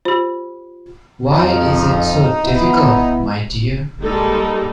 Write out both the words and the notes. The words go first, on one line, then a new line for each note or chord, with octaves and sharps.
Why is it so difficult, my dear?
F4 G4 C5
F2 F3 D#4
B3 E4
G3 G#3 A#3 D#4 A4